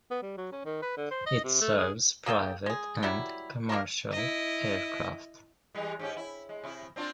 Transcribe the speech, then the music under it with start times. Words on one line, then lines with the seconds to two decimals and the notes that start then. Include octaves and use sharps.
It serves private and commercial aircraft.
0.10 B3
0.22 G3
0.37 F#3
0.52 C#4
0.65 D#3
0.82 B4
0.97 D3
1.11 C5
1.26 D#5
1.44 C3
1.61 A3
1.77 G#4
2.26 A#3 G#4 A4 G5
2.66 G#3 G#4
3.03 F#3 G3 A3 E4
3.69 A#3 D4 A4 A#4
4.12 E4 D#5
5.75 E3 G3 G#3
5.99 G#2 C#4 G4
6.17 E4
6.49 G#3
6.64 C3 E4
6.96 C4 D4 F4